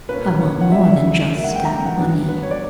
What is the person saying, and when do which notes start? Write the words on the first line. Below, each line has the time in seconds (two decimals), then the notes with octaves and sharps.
I want more than just that money.
0.09 A#2 A#3 C#4 B4
0.24 B4
0.40 C#5
0.61 F#5
0.71 E2 C#3 F#3 B3 E5
0.81 E5
0.91 D5
1.34 C#2 B2 F#3 A#3 E5
1.44 F#5
1.55 G5
1.65 A#5
1.76 G5
1.86 F#5
1.96 G2 F#3 B3 D4
2.28 B4
2.43 C#5
2.51 D5